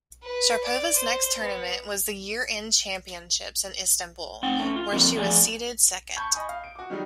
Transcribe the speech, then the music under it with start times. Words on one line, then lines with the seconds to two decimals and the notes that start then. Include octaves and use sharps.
Sharapova's next tournament was the year-end championships in Istanbul, where she was seeded second.
0.23 B4
0.64 D5
0.96 C5
1.39 B3
4.43 C4 F#5 G5
4.59 A3 C#4
4.76 F4
4.92 D3 F3 G3 A#3 C4
5.15 E2 A2 F3 G#4 D5 G#5
6.16 A5 B5 C#6 G6 G#6
6.34 D#5 G#5 B5 C#6 D#6
6.49 F5
6.64 D7
6.75 F#4 D6
6.90 D#3 F#3 G3 D#4